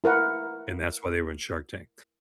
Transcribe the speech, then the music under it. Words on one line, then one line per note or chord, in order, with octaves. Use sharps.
and that's why they were in Shark Tank,
E4 A#4 B4 F#5